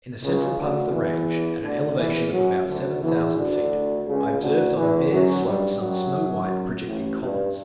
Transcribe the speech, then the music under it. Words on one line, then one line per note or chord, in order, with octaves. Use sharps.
In the central part of the range, at an elevation of about seven thousand feet, I observed on a bare slope some snow-white projecting columns.
C#2 C#3
D2 D3
E2 E3
D2 D3
E2 E3
F#2 F#3
D2 D3
E2 E3
D2 D3
C#2 C#3
D2 D3
E2 E3
F#2 F#3
G2 G3
F#2 F#3
A1 A2
G2